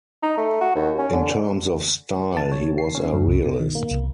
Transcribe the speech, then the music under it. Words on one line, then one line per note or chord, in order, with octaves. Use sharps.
In terms of style, he was a realist.
D#4
A3
F#4
D#2
C#4
D3
A5
C#5
C7
C#4
F#2
C2
B2
D#3
A#3
C2